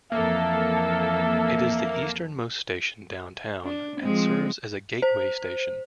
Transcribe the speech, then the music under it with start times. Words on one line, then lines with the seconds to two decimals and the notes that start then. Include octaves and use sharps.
It is the easternmost station downtown, and serves as a Gateway station.
0.12 F2 E3 A#3 A4 E5
3.64 D4
4.01 F3 G#3 C4
5.02 C5